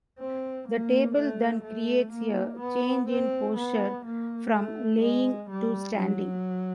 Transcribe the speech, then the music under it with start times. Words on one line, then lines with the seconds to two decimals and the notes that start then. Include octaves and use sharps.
The table then creates a change in posture from lying to standing.
0.19 C4
0.68 A#3
1.15 A3
1.64 A3
2.12 A#3
2.60 B3
3.09 C4
3.57 B3
4.05 A#3
4.54 A3
5.02 G#3
5.50 G3
5.98 F#3